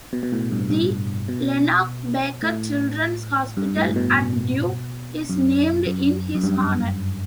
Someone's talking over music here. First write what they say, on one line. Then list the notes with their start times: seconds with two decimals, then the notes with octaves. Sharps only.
The Lenox Baker Children's Hospital at Duke is named in his honor.
0.13 B2
0.23 B2
0.32 A2
0.51 G2
0.70 G2
1.28 B2
2.43 A2
3.57 G2
3.76 A2
3.90 A2
3.96 B2
5.30 F#2
5.87 F#2
6.35 F#2
6.43 G2